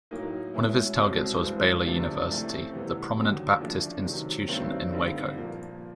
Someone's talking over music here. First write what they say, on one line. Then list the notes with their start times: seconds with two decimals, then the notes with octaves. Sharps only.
One of his targets was Baylor University, the prominent Baptist institution in Waco.
0.11 A2 F#3 A#3 D#4
0.54 B2 G#3 C#4 E4
0.98 C2 B2 G#3 C4
1.41 G2 E3 G#3 C4
1.86 D2 C3 F3 A3 D4
2.29 C#3 E3 A3 C4
2.73 C3 E3 G3 B3
3.17 D#2 D3 F#3
3.60 C#3 F3 A3 D4
4.05 C3 D#3 F#3
4.48 G2 D#3 F#3 A3 C4
4.93 G2 D3 G3 C4 D#4
5.36 A#2 F3 A#3